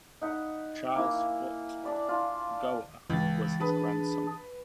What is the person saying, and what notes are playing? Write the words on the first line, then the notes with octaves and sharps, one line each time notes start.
Charles Foote Gower was his grandson.
D#4 F#5 B5
A#3 E4 G#5
D4 D5 B5
D4 F4
C#2 E3 A6
D4 G#4 B4